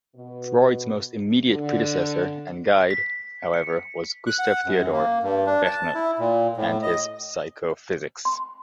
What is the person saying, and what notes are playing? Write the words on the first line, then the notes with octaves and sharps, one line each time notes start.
Freud's most immediate predecessor and guide however was Gustav Theodor Fechner and his psychophysics.
B2
D3
B6
C#7
F#6
F#5
F#2
A#3
G2
D4
A5
E4
A#2
A2
D#5
C6